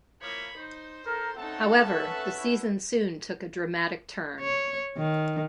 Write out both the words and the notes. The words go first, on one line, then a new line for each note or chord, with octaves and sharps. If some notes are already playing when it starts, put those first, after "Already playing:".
However, the season soon took a dramatic turn.
F3 A#3 E4 C#5 B5
D#4 C5
A4 A#4
A3 C4 C#4 D#4 A4 F#5 A5
B4 E5
E4 C#5
C#5
D#3